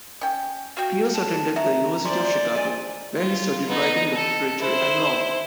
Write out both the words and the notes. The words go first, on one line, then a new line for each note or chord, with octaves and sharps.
Pierce attended the University of Chicago; where he studied writing, literature, and law.
C#4 G5
F#4 F5 G5
A5
F#4 E5 A#5
C#4 C5 D5 C6
D#5 G#5
F4
B3 D#4
A4
E4 C5